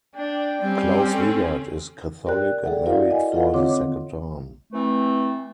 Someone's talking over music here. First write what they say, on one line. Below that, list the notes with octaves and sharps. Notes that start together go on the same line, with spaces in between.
Klaus Riegert is Catholic and married for the second time.
D4 G5
G3 C4 C#4
A4
G4 A#4 D5 G5 F#6
G#4 A4 D5 E5 F#5 G5
E4 F#4 A#4 D5 E5 F5
D#5 F#5 G#5
F4 A4 D#5 F5 F#5
D3 C4 F4 C#5 C6 D6
E3 A3 C4